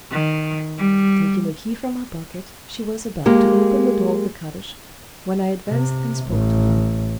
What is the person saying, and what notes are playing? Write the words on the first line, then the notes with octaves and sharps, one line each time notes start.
Taking a key from her pocket, she was about to open the door of the cottage, when I advanced and spoke to her.
D#3
G3
G#3 A#3 G4
C3
A1